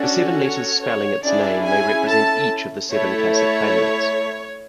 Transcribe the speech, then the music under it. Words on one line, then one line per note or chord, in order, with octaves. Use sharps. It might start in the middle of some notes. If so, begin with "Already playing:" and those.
The seven letters spelling its name may represent each of the seven classic planets.
Already playing: C#4 D4 F#4 A4 D5
C#5
C#5
C#4 D4 E4 G#4 D5
G#4 G#5
A4 A5
A3 E4 A4 C#5
C#5